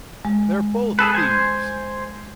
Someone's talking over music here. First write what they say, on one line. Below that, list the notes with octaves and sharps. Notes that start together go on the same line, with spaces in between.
"They're both thieves!"
G#3
G#4 A4 B4
C5 G#5